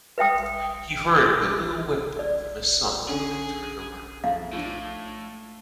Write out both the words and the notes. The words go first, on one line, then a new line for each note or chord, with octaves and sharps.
He heard the little whimper from his son and turned around.
B4 E5 G5 D#6
D5
D3 C#4 G#4
F2 F5
A2 F3 D4